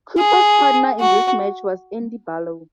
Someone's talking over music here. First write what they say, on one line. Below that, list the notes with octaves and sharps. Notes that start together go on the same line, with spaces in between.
Cooper's partner in this match was Andy Barlow.
G#4
F#4